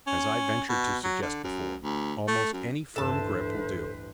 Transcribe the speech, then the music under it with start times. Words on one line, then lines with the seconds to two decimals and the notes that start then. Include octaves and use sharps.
As I ventured to suggest before, almost any firm grip will do.
0.07 C#4
0.69 B2
1.04 F#3
1.22 D3
1.44 F#2
1.82 D2
2.28 A3
2.53 F#2
2.96 A1 D2 G2 A4 B4 C5 A5